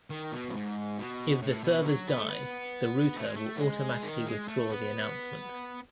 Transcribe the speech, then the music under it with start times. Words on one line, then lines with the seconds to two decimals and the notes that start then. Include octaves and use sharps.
If the servers die, the router will automatically withdraw the announcement.
0.10 D#3
0.32 B2
0.49 F#2
0.54 G#2
0.98 B2
1.42 A2
1.64 B2
1.85 F#3
2.07 B3
2.17 A3
2.28 B3
3.17 A3
3.26 G#3
3.36 A3
3.56 F#3
3.61 G#3
4.04 D#3
4.26 G#3
4.48 A3
4.70 B3